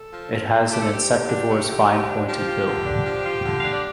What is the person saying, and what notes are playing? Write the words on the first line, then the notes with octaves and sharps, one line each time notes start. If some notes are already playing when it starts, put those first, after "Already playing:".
It has an insectivore's fine pointed bill.
Already playing: A4
F3
F3
F4
A3 G4
A4
D3 G4
D3
D4
A3
D3
D3
D4
F3 G4
F4
D3
D4
F3
F4
D3
D4 F5
D5